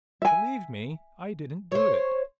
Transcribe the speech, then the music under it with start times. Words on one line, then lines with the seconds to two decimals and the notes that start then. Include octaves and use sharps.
Believe me, I didn't do it.
0.22 E5 G#5
1.72 C5 C#5